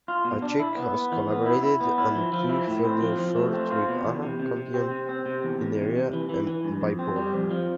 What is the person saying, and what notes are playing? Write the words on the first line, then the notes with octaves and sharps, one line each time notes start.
Patrick has collaborated on two further shorts with Anna Campion, "Inertia" and "Bipolar".
F4
B2
D4
E4
B3
B3
E3
B3
E4
E4
B3
E4
F3
F3
E4
A2
C4
F3
F3
A3
C4
F4
B2
E2
C3
C3
C3
C4
C3
C4
C3
E2
E2
C3
C3
E3
E3
E3
G2
F2
C4
G3
F2
F3